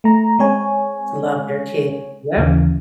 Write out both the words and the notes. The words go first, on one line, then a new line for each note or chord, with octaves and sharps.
Love their kid. Yep.
A3 A#5
G#3 C4 C#5 G#5
D#2 C#3 E3